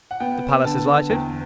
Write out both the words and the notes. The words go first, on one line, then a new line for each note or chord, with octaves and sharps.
The palace is lighted.
F#5
B3 G5
D3 A5
E2 G5